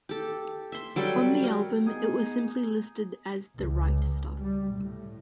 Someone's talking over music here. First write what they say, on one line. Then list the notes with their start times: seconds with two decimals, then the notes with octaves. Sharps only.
On the album, it was simply listed as The Right Stuff.
0.09 G4 A4
0.72 E5 C6
0.96 F#3 G3 A4 G5
1.44 A#4
1.86 B3 D#4 G#4 G#5
3.58 C#2
4.38 G3
4.75 A2